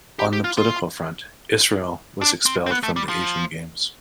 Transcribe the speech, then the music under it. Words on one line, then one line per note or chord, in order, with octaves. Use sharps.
On the political front, Israel was expelled from the Asian Games.
G4
G4
F4
F4
D4
C4
C4
B3
A3
G3
F3